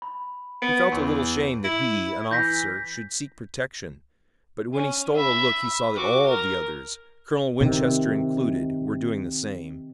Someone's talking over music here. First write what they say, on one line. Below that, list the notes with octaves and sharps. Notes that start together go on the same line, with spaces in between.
He felt a little shame that he, an officer, should seek protection, but when he stole a look he saw that all the others, Colonel Winchester included, were doing the same.
B5
B3 D7
E2
E4
E3 G6 A#6 B6
C#4
E5 B5
F#4 D6
A#4
C3 D#3